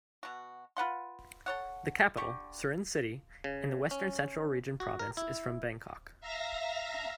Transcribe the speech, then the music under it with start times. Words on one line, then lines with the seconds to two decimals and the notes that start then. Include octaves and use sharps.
The capital, Surin city, in the western central region province is from Bangkok.
0.23 B2 F#4
0.77 F4 B4 F#5 C6
1.46 A4 C#5 F#5
2.17 D3 G4 G5 C#6
3.44 C#3
3.91 C#4
4.80 F#4
4.99 A#4
5.17 E4
6.20 E5 F5 A#5 A#6